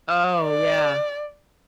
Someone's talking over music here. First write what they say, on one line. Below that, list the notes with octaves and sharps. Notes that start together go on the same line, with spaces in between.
Oh, yeah.
D5